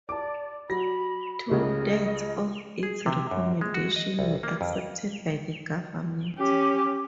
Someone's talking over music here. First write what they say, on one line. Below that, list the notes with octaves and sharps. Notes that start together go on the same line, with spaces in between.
Two thirds of its recommendations were accepted by the government.
D5 A5 D6
F#3 B5 A#6
C#2 C#3 A3 D#5
G#4
C3
F#2
G#3
F#4
D#5
C2
A#3
F2
C#4 G4